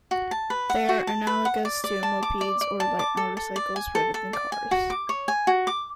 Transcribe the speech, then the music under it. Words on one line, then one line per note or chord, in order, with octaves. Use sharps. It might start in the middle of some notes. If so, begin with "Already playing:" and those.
They are analogous to mopeds or light motorcycles rather than cars.
F#4
A5
B4
F#5
F#4
A5
B4
F#5
D5
D5
A5
D6
D5
D5
A5
D6
A4
A4
D5
G#5
A4
A4
D5
G#5
F#4
D6
C#5
G#5
F#4
D6